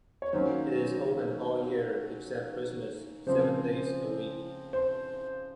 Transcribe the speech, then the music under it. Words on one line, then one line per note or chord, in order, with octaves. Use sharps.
It is open all-year except Christmas, seven days a week.
C#5
D#3 F#3 A#3 C#4 C5
C#3 F3 C4 C5
C5